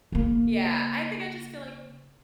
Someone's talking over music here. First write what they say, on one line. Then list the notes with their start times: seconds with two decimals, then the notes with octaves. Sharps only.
Yeah, I think I just feel like
0.12 C#3 A#3